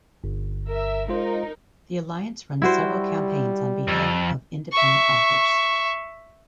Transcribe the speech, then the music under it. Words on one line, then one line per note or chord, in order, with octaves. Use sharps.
The Alliance runs several campaigns on behalf of independent authors.
G1
A#4 E5
G#3 D#4 F4 A#4 C5
G3 E4 F#4 C5
F2
E5 C#6